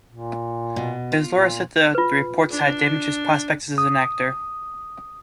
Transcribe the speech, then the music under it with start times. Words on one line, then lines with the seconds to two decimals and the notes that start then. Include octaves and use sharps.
His lawyer said the reports had "damaged his prospects as an actor".
0.10 A#2
0.76 B2
1.12 F4
1.33 A#2
1.95 F4 B4
2.50 D4
3.78 D#6